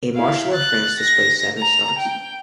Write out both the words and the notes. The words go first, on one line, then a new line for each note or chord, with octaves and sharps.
A Marshal of France displays seven stars.
E4 F5
F#6 A6
A#6
A#5 F7
G5